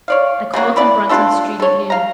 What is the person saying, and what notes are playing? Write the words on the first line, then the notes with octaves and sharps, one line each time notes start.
I called in Bruton Street at noon.
C#5 D5 F5
C#3 F#3 A#3 F#4
E3 B4 D5
D4 F4 G4 A4
A4 C#5
F5 A#5